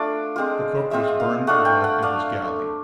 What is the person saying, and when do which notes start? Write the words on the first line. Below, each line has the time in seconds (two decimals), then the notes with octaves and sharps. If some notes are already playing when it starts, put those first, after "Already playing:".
The cook was burned to death in his galley.
Already playing: A3 D4 F4 D5
0.36 G#3 C4 F4
0.91 G#3 C4 F4 E5
1.20 F5
1.47 A3 D4 F4 F#5
1.65 G5
1.84 F#5
2.02 A3 D4 F5